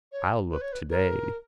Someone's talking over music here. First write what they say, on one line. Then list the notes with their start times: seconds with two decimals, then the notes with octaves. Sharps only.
I'll look today.
0.12 C#5
0.51 B4
0.61 C#5
0.72 B4
0.90 A#4